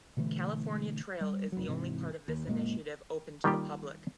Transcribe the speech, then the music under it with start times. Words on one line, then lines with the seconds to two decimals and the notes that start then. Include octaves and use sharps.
California Trail is the only part of this initiative open to the public.
0.17 B2 D3 E3 A3
1.21 G3
1.52 F1 F#3
1.68 G#2 C3 E3
2.28 D#2
2.46 F#1 A#2 G#3 A#3
3.44 D#3 G3 A#3 F4 G4